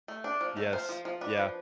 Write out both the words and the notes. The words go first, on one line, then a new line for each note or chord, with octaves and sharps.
Yes, yeah.
A3
D4
F3
A3
F3 C5
F3
F3
D4 B4
F3